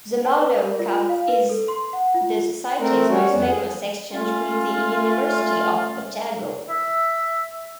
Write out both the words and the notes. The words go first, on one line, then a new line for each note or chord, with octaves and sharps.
The Marlowe Cup is the societies most famous exchange with the University of Otago.
A5
B4
A#4
F4
F5
B4
A4
C6
F#5
F4
A3 C4 A#4
G3 C#4 F#4
F2 B3
G#4
A3 C#4 F4
E5